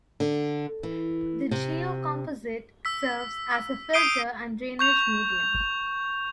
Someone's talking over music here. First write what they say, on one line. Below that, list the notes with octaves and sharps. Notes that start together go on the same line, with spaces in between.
The geocomposite serves as a filter and drainage medium.
D3
E3
C3
E6 B6
D#6 G6 C7 D7 D#7 G7
C#6 G6 F7